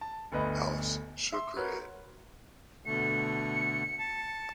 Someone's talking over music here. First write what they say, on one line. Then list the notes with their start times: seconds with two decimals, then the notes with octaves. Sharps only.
Alice shook her head.
0.01 A5
0.32 G1 D2 B4 D#5 B5
1.32 E5 C6
1.56 F#4 A#4 B4 C#5
2.86 B2 D3 A3 C#7
3.99 A5